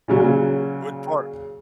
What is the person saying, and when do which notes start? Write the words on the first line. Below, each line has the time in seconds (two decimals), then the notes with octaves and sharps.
What part
0.08 A#2 C#3 F#3